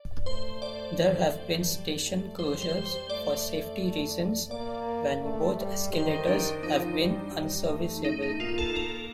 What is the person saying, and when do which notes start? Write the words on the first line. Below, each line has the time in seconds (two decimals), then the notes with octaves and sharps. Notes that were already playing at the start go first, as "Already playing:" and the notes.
There have been station closures, for safety reasons, when both escalators have been unserviceable.
Already playing: D5
0.26 A3 C5
0.62 D5
0.97 A3
1.67 G3
2.03 A3
2.38 G3 C5
2.62 C5
2.86 C5
3.10 A3 D5
4.50 A#3 D5
5.21 A3
5.57 G3
5.93 D#3 C5
6.10 D#4
6.28 D4
6.63 F3 D#4
6.99 G3
7.34 G3
7.69 A3
8.04 A3 D#4
8.23 D#4
8.40 A#3 F4
8.58 A4
8.75 A#3 A#4